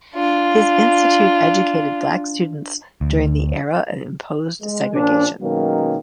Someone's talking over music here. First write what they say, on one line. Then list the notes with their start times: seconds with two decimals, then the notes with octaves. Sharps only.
His institute educated black students during the era of imposed segregation.
0.15 D4 F4
3.01 D2
4.62 G#3
4.94 A#2 F3 C#4 D4
5.42 B2 D#3 F#3 G#3 A#3 C#4